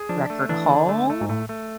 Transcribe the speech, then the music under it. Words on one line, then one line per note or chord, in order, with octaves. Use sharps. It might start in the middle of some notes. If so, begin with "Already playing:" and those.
Record haul?
Already playing: G#4
F3 D4
A3
E3 D4
D3
A3
A3
G#2
A2 A3
A3